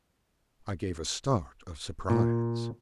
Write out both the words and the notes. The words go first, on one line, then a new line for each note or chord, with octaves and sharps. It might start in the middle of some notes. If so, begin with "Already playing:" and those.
I gave a start of surprise.
A#2